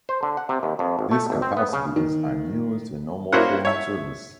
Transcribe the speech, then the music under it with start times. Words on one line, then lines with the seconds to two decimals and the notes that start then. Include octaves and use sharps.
This capacity is unused in normal phone service.
0.09 C5
0.23 D3
0.37 F#5
0.49 C3
0.63 D#2
0.79 F2
0.99 G#1
1.11 A3
1.30 G#1
1.42 C4
1.57 B3
1.73 C#3
1.96 D#3
3.33 A#3 C#4 E4 F#4 C5 F#5
3.65 C#5 E5